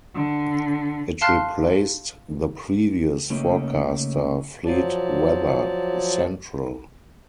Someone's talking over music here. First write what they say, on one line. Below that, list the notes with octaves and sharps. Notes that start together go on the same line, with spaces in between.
It replaced the previous forecaster, Fleet Weather Central.
D3
F5 A5 C6 F6 F#6 C7
C#3 A3 A#3 C#4 D#4 G4
F3 F#3 D5 A5